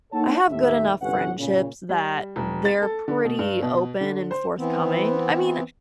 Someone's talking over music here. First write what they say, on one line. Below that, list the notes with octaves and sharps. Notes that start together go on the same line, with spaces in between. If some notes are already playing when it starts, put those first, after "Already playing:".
I have good enough friendships that they're pretty open and forthcoming. I mean,
A#3 D#4 A4 C#5 F#5 A5
D#2 A2 E5
G1 C2 C#4 B4 F#5
A#2 C#3
G3
E1
A6
A4
D3
B2
G2
B2
D3
C5
E3 B3 C4